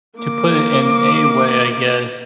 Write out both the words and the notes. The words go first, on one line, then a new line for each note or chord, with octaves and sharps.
To put it in a way, I guess,
A#3 D6